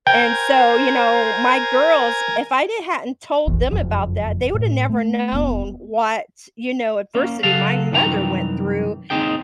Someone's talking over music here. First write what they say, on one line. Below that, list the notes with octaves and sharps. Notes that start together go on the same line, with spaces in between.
and so, you know, my girls, if I didn't hadn't told them about that, they woulda never known what, you know, adversity my mother went through
A#4 C5 G5 G#5
F1 A#1 F2 E3
F#1 F2 F3
A2
A3
F1 B3
A#3 C#4
C#3 F#3 F#4 A4 F5
C2 F#2 D#3 E3 G5 A#5
D#2 E3 C4 D#4 G#4 G5